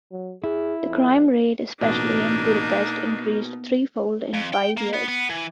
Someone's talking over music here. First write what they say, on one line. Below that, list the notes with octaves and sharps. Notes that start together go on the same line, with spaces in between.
The crime rate, especially in Budapest, increased threefold in five years.
F#3
E4 G#4
F2
A1 B2 A#3 D4 D#4
B3
F2
G5
A#3
B3
B3
E3